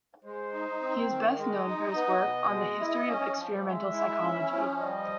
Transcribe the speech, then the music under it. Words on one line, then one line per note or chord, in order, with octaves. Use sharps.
He is best known for his work on the history of experimental psychology.
G#3 C5
D#4
C4
D#3
G#3 D#5
D#4
B3
B2
G#3
E4
C#4
F3
G#3 E5
E4
C#4
F3
G3 D#5